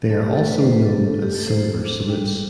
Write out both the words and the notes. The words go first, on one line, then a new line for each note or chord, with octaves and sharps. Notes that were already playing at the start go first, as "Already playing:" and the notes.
They are also known as silver salutes.
A3 A4
G4
A3 A4
B4
F4 C5
B4
D4 A4
A4
A3 A4
G4
A3 A4
C5
F4 A4
D4
G3